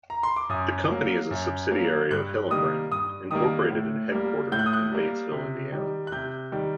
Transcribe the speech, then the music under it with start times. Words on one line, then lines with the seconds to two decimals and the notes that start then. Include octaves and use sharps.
The company is a subsidiary of Hillenbrand, Incorporated and is headquartered in Batesville, Indiana.
0.10 A#5
0.23 C6
0.36 D6
0.49 F#2 D#6
0.91 F#3 A#3
1.31 F#2
1.70 F#3 A#3
2.11 G2 F#6
2.51 D#3 G3 A#3 D#6
2.91 G2 D#6
3.31 D#3 G3 A#3 D#6
3.71 A2
4.12 G3 A#3
4.52 A2 G6
4.59 F#6
4.66 D#6
4.73 F#6
4.92 G3 A#3
5.32 C3
5.72 D#3 G3
6.07 F#6
6.12 C3 G6
6.52 D#3 G3